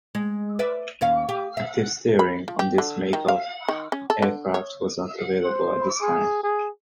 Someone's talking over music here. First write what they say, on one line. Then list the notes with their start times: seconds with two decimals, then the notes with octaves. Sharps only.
Active steering on this make of aircraft was not available at this time.
0.15 G#3
0.59 B4 D5 E5
1.01 D#2 C#4 F5
1.29 G4
1.57 E5
2.19 B5
2.48 F3
2.59 G4
2.78 D3
3.13 D#3
3.28 F5
3.68 D#3
3.92 C#4
4.10 A4
4.22 D3
4.54 C#5
5.45 C5
6.02 G#4
6.43 G#4